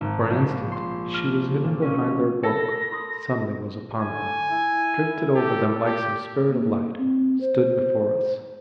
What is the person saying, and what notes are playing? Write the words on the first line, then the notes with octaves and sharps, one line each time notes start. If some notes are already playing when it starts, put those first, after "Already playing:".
For an instant she was hidden behind their bulk; suddenly was upon them; drifted over them like some spirit of light; stood before us.
G#1
A#1
C6
F6
A#2
C#4
A4 A#4 B5 A#6
F4 C6 D#6
D3 G#5
E4
G4 A4
G4
A#3
C4
C5